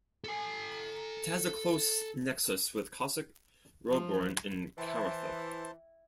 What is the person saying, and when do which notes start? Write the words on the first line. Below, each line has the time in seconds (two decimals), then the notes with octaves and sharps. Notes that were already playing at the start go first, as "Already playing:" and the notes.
It has a close nexus with Cossack, Roebourne and Karratha.
0.24 A4 G#5
3.91 F3
4.78 E3 E4 C5 G5 A5